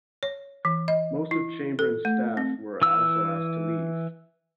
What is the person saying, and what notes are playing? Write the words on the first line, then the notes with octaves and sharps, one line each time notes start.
Most of Chambrin's staff were also asked to leave.
C#5
E3
D#5
E4
A4
A3
C4
E3 E6 F6